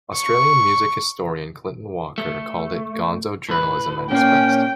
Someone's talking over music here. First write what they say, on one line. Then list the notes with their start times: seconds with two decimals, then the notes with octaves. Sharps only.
Australian music historian Clinton Walker called it "gonzo journalism at its best".
0.15 C#6
2.18 A3
3.49 A2 B4
4.11 A#2 A#3 C#4 G5